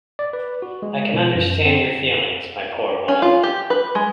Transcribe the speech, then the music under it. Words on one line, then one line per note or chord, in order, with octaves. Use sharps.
I can understand your feelings, my poor woman.
D5
B4
F#4
G#3
B2
F#2
C4
C#4
F4
G4
B4
G#3